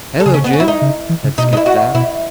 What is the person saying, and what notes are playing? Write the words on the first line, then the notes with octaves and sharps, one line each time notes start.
"Hello, Jim!" and skipped out.
A4
C#3 G#4
C#4
B3
C#4
E4
D#4
C#3
E3
C#3
B2 D#4
D#4
E4
F#4
B2 E4